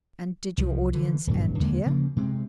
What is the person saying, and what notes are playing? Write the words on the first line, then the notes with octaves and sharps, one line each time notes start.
'And did your audience end here?'
C2 F3
D3 E3
D#1 G#1 G2 F#3
D#2 D3 G#3 A#3
C#3 F3 A#3
C3 G#3 C4